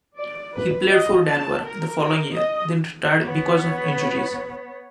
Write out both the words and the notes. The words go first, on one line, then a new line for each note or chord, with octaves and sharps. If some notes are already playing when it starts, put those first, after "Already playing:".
He played for Denver the following year, then retired because of injuries.
D5
B4
D#5
A5
A#4
A#4
D#5
B3 C#5